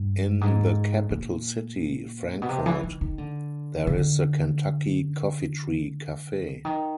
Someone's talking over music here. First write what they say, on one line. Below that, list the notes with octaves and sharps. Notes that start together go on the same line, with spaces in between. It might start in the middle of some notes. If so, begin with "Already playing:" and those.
In the capital city, Frankfort, there is the Kentucky Coffeetree Cafe.
Already playing: G2
G#2
A#2
B2
C3
E3
D#3
D#3
D3
D3
D#3